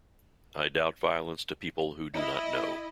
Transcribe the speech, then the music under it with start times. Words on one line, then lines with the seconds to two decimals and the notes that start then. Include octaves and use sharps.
I doubt violence to people who do not know.
2.14 E4 D#5